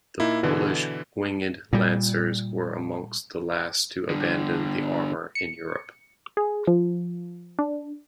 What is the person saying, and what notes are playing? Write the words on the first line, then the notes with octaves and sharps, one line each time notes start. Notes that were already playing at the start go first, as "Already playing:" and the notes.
The Polish "winged" lancers were amongst the last to abandon the armour in Europe.
A#2 A#3 D#4 E4
B2 D3 E3
A#2 G3
G2 D3
C#7
G#4
F3
D4